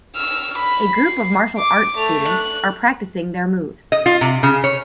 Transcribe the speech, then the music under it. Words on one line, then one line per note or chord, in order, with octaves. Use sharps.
A group of martial arts students are practicing their moves.
E6 F6
B5
C7
D6
A3 F7
F#6
D#5
F4
C3
C#3
C#5